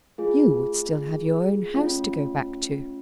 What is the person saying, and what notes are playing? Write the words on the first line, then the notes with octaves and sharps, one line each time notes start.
"You would still have your own house to go back to."
A3 F4 G#4
A3 C#4 F4